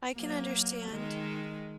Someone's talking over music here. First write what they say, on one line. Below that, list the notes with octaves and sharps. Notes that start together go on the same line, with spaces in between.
I can understand.
F#3 A#3
D#3 G#3